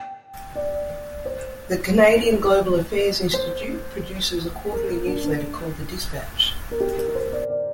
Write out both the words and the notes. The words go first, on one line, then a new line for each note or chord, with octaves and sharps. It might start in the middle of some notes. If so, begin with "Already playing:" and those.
The Canadian Global Affairs Institute produces a quarterly newsletter called "The Dispatch".
Already playing: G5
D5
C5
C5
A#4
A#4
D4
D4
A#4
G4
A#4
A#4
C5
D5
D5